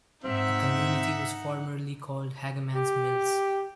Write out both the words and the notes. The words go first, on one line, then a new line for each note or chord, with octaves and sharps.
The community was formerly called Hagamans Mills.
G#2 C4 D#4 E5 F#5
G4